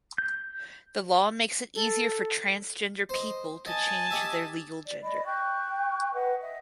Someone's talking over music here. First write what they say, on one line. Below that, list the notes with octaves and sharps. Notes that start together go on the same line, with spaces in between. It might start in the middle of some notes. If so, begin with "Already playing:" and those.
The law makes it easier for transgender people to change their legal gender.
G6
A4
C5 D#5
D#5 G#5 A5
G4 D#5 E5
D5
D5 D#5 B5
G5 C#6 F#6 G6
B4 D#5 F#5
D#5 E5